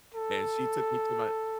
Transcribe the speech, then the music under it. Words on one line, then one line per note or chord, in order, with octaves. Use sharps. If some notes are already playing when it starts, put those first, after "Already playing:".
and she took me to my
A4